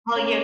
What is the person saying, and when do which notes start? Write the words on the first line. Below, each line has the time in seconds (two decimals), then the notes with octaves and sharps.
Well, you're
0.16 C#4